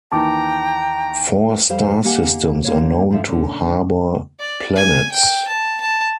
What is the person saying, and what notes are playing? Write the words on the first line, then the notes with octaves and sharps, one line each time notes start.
Four star systems are known to harbour planets.
D#2 D#3 E3 G5 A5 A#5 D6
F2 G3 C5 F5 G5
D#3 A#3 G4 F#5 G#5
D#2 D3 A#3 C#5
G2 D3 F3 D#4 E5
A#2 D3 C#4
D5
G#5
G5
A5
A5